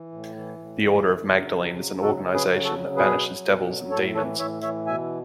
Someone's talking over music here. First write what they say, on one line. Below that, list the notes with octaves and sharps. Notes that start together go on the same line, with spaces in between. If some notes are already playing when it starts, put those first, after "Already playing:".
The Order of Magdalene is an organization that banishes devils and demons.
Already playing: E3
A2
E3
A2
E3
C#3
F#3
C#3
F#3
C#3 F#4 A4
F#3
G#4 B4
C#3
F#4 A4
F#3
B2 G#4 B4
F#3
B2
F#3
A2 A4 C#5
E3 A4 C#5
A2 C#5 E5
E3 C#5 E5
B2 E5 G#5